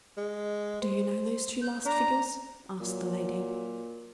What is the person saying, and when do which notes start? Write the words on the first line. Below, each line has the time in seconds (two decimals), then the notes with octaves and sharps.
"Do you know those two last figures!" asked the lady.
0.17 G#3
0.82 C5
1.61 G6
1.85 D4 A#5
2.80 A#2 F#3